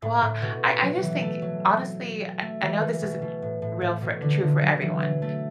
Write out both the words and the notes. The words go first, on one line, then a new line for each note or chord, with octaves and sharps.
Well, I I just think, honestly, I I know this isn't real for true for everyone.
A2
A2
B2
F#3
E3
A3
F#3
A3
E3
E3
B2
B2
A2
A2
A2
B2
D3
D3
F#3
E3
F#3
A3